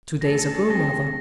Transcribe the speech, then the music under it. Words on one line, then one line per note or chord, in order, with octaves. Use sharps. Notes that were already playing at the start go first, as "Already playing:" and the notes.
"Two days ago, mother."
D2 G#4 A4 A#6
C4 A#6